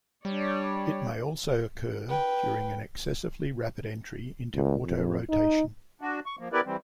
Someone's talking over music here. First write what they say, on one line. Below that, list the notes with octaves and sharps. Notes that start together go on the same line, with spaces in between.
It may also occur during an excessively rapid entry into autorotation.
G3 D4 C#5 D5
B4 G5
C#2
F2
D#4
D4 F#4
C#6
F3 A#3
B3 E4 G4 A#4 B4 D5
E3 G3 C4